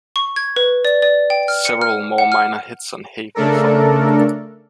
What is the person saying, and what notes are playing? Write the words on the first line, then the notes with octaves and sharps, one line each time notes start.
Several more minor hits on Haven followed.
C#6
G#6
B4
D5
D5
G5
F6
C#7
F6
F#5
F6
C#3 A3 D4 A4 A#4